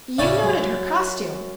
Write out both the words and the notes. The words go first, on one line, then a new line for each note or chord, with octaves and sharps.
You noted her costume.
A2 C#3 A3 D5
F#2